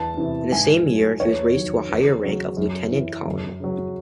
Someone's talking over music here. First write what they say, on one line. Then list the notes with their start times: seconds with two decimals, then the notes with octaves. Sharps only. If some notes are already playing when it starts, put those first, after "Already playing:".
In that same year, he was raised to a higher rank of lieutenant colonel.
Already playing: E2 A5
0.17 C3 E3
0.52 G#2 G#5
0.86 F#3
1.20 E2 C#5
1.55 D#3 F#3
1.88 E2
2.23 C#3 F#3
2.57 F#2
2.92 E3
3.26 F#2
3.60 C#3 F#3